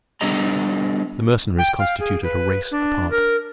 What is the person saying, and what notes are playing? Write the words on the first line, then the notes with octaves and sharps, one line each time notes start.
The Mercenaries constituted a race apart.
G3 B3 D4 G#4 D#5 A#5
G5
F5
G#4
B4
D4
A#4